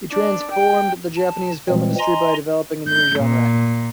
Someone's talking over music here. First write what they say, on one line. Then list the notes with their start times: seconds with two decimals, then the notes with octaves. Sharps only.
He transformed the Japanese film industry by developing a new genre.
0.11 D4
0.51 G5
1.16 A5
1.69 A#2 E3 F3 G3 G#3 C4
1.99 D#5 G#5 A#5 C6
2.88 G6
3.20 A#2